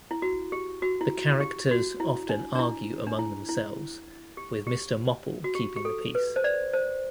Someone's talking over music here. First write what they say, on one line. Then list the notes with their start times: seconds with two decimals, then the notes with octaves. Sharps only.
The characters often argue among themselves, with Mr Mopple keeping the peace.
0.11 E4
0.22 F#4
0.52 G4
0.82 F#4
1.01 E4
1.40 G4
1.71 F#4
2.00 E4
2.29 D4
2.55 D4
2.59 E4
3.07 D4
3.19 E4
3.49 E4
4.37 G4
4.67 G4
5.44 F#4
5.55 G4
5.76 G4
5.85 A4
6.15 B4
6.36 C5
6.44 D5
6.73 C5